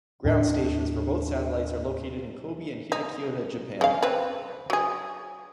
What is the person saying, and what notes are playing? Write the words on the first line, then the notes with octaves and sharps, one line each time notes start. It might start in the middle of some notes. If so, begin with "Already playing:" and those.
Ground stations for both satellites are located in Kobe and Hitachiota, Japan.
D#2 A2 D4
D#4
C#3 F5
C4 B4
F#3 G#4